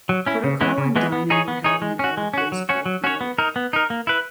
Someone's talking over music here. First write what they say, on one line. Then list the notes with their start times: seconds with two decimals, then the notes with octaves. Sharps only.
Protocol and Dining were held in an old baseball field.
0.09 F#3
0.26 C#4 E4
0.44 C#3
0.61 E3 G#3 B3 E4
0.78 C#3
0.96 E3 G#3 B3 E4
1.12 B3
1.30 D#4 G#4 C#5
1.48 B3
1.64 D#4 G#4 C#5
1.82 G#3
1.99 C#4 F#4
2.17 G#3
2.34 C#4 F#4
2.52 F#3
2.69 C#4 F#4 C#5
2.86 F#3
3.04 C#4 F#4 C#5
3.21 B3
3.38 D#4 A#4
3.56 B3
3.73 D#4 A#4
3.90 A#3
4.07 E4 B4